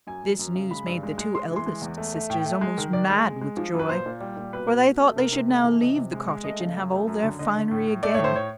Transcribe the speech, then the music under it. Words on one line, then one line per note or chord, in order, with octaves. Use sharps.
This news made the two eldest sisters almost mad with joy; for they thought they should now leave the cottage, and have all their finery again.
F#2 G#5
F#2
F#2
C#3
G#3 B5
G2
G#3
G#3
G#3 C6
E3
C6
G#3
E2
A3
A3
A2 G5
A3
G#3
D#3
D#3 D5
G#3
G#3
G#3
F3
F#2
B4
A#2 C5
A#2
G3
A#2
B2 B4
B2
B2
A3
C3 A#4
C3
A3
E3
C3 D#5
C3
G#3
G#3
A3 D#5
C#3
F#2
A3
F#2
D3
D3 D#5
D3
A2
A2
A3 D5
A2 C#5
C5
C#5